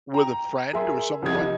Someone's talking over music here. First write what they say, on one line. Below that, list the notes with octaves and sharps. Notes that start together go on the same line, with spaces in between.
with a friend, or somebody you want,
G5 A#5
G#4 A#4 E5 C6
C2 F2 G4 D#5 D#6 G#6
D#4